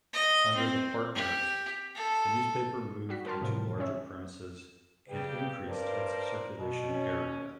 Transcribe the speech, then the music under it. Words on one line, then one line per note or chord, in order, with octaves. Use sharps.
Under the partners the newspaper moved into larger premises and increased its circulation area.
D#5
C4
G4
A4
G3 F#4 B6
G4 A#4 A5 C6 F6
A2 C3 E3 F3 G3
G#3 C#4 C#5 E5
G2 C#3 G4 B4
G2 A#4 C5 D5
B2
C#4